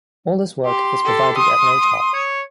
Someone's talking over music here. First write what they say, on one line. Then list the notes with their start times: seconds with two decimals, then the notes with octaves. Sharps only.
All this work is provided at no charge.
0.65 G4 C6
1.05 G4 A4
1.38 D#6
2.13 C#5